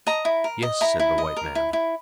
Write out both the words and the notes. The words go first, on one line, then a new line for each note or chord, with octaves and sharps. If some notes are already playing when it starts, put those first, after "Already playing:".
"Yes," said the white man.
D#5 A#5
E4
A#4
D#5
E4 A#5
E4
D#5
A#4
E4
E4